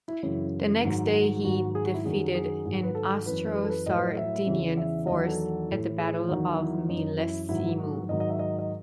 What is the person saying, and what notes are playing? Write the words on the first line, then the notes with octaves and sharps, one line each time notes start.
The next day he defeated an Austro-Sardinian force at the Battle of Millesimo.
E4
F#2 C#3 E3 E4
G#2 D#3 F#3
G#2 D#3 F#3 F#4
G#4
F#4
E4
F#2 D#3 F#3 G#4
G#4
G#2 D#3 F#3
B4
A4
F#2 E3 B4
B4
A4
B4
A2 F#3 D#5
B4
D#5
E5
E2 C#3 E3
E5
E2 D#3 F#3 D#5
B4
A4
A2 E3
G#4
E2 D#3 F#3 F#4
E4
F#2 E3 D#4
E4
G#2 D#3 F#3 E4
F#4
G#2 D#3 F#3 D#5
D#5
E5
D#5
D#5